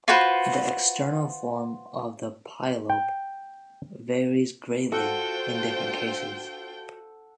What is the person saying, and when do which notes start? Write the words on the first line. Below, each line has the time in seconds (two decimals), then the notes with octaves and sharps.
The external form of the polyp varies greatly in different cases.
0.08 F4 F#4 B4 C5
2.90 G5
4.92 D4 F4 F#4 A4 C5 F#5 G5